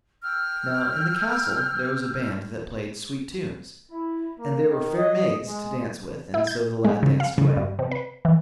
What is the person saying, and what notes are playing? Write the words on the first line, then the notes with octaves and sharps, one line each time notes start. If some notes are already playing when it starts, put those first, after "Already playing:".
Now in the castle there was a band that played sweet tunes, and there were fair maids to dance with, and so the lad danced away.
G5 E6 F6 G6
E4
A#3
D#3
D#5
G#3
E4
G6
G#3
C#3
F5
C#3
G2
C3
B4
E3